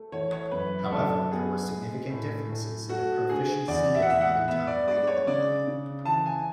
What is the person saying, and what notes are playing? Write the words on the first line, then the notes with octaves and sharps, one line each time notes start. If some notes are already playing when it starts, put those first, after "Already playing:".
However, there were significant differences in the proficiency of mother tongue reading ability.
Already playing: A3
E3 C#5
C#5
F#2 B4
F#2 A4
B3 G#4
G#3
A2
A2
A3 F#4
D3 G#4
E2 D5
E5
F#5
E2 E5
F#5
B3 E5
D5
G#3 D5
C#5
C#3 D5
C#3
E3 A5
G#5